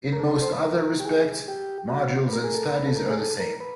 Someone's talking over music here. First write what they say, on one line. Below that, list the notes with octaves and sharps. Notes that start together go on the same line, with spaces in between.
In most other respects, Modules and Studies are the same.
A#4
A4
C5
B4
A#4
G4
G#4
G4
F#4
B4
A#4
G#4
A4
A#4
B4
A4
A#4
G#4
A4
A#4
B4